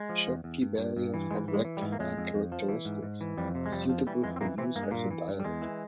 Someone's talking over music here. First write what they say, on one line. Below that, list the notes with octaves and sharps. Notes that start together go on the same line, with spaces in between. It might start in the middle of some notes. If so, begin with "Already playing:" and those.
Schottky barriers have rectifying characteristics, suitable for use as a diode.
Already playing: G#3
F3
E2
E2
G2
G2
G2
E3
G#2 G#3
E3
G#3
E3
G3
G#2
A#3
F2 G#3
F2
F2
F3
E3
G#2
G#2
E3
F2 G3
C3
G#3
F2 G3
F3
E3 G3
F2 G#3
C4
A#2 E3 A#3
C3 E3 C4
G2 A#3
G#3
G2 A#2 A#3
E3
G2
G3
E2 G#3
E3